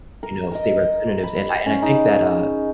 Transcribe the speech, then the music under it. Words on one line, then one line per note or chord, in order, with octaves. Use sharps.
you know, state representatives and I and I think that, uh,
A#4
A#4 D#5
B5
C#4
D#4 G#4